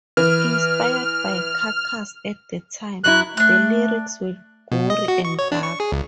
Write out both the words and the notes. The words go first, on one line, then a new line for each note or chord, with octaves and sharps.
Inspired by Carcass at the time, the lyrics were gory and dark.
E3 F6
F#2 F#3 E4 F#6
A3 D4 F#6
B2
D#5
F#4
C#6
C#5
D4
C#6
G#4
C#2